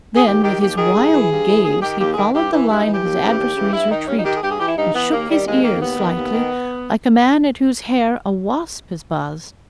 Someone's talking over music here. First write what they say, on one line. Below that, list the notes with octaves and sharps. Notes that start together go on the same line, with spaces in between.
Then, with his wild gaze, he followed the line of his adversary's retreat, and shook his ears slightly, like a man at whose hair a wasp has buzzed.
G#4
D#2 G4
D#3 G4
D#2 G4
D#3 G#4
G2
E3
G2
E3
D#2 G#4
D#3 G4
D#2 G4
G#4
D#3
G2 G4
E3
G2 E4
D#4
E3
G4
D#2
C#3 E3
D#2
C#3 E3
G2 E4
D#3 D#4
G2 C#4
D#4
D#3 G4
G#4
G2 G4
G#4
E3 G4
E4
G2 D#4
E3 B3
D#2 A#3
D#3 G3
D#2 G#3
D#3 A#3
D#2 B3
D#3
D#2
D#3